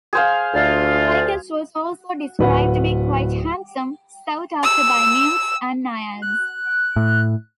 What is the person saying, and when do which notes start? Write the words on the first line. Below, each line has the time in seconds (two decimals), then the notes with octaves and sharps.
Picus was also described to be quite handsome, sought after by nymphs and naiads.
0.13 G#4 C5 F5
0.54 D2 F4
2.39 D1 B4 F#5
4.63 E6
6.22 F#6
6.96 A2